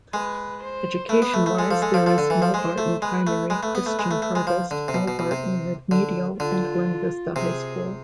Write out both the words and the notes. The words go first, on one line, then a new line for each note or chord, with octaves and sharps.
Education-wise there is Mulbarton Primary; Christian Harvest; Mulbarton Remedial and Glenvista High School.
G#3 B4
C5
A3 B4
B3
A3
A3
G#3 A4
F3
G#3
F3
F3
D3
E3
F3
G#3 C5
A3
G#3 B4
A3
G#3 B4
A3
B3
A3
G#3
A3
A3
G#3
F3
D3
C3
B2
B2
B2
C3
D3
D3 F4
C3 G#4